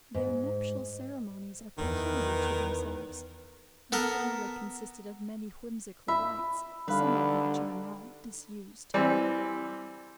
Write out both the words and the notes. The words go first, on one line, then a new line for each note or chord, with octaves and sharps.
Their nuptial ceremonies are peculiar to themselves; and formerly consisted of many whimsical rites, some of which are now disused.
G#2
E2 D#3 B4
B3 A4 A#4
E5 B5
D3 G3 D#4 B4 F5
E3 G3 C4